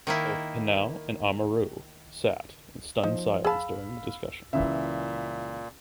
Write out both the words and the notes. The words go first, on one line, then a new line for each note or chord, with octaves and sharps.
Both Pineau and Amoureux sat in stunned silence during the discussion.
D#3 A#3 E4
F3 D#4
G#4 F5 A5 B5 E6
C#2 A#2 C#3 E3 E5